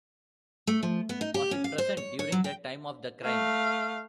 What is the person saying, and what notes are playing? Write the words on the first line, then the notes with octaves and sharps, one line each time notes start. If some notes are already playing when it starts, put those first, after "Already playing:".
Was it present during the time of the crime?
A3
F3
B3
D#4
G4
C#4
F5
C5
C#5
C#5
F#3
G5
A3 F5